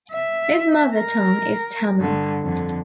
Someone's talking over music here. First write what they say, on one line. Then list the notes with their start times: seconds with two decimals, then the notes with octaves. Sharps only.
His mother tongue is Tamil.
0.12 E5
0.95 A#4
1.98 G2 D3
2.42 F2 D3